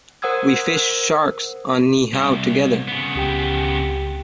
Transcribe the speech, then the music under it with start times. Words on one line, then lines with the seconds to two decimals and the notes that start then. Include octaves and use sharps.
We fished sharks on Niihau together.
0.22 A#4 C5 F#5 D#6 E6 G#6
2.13 C2
2.88 C#3 B3
3.15 C#2 G4 G5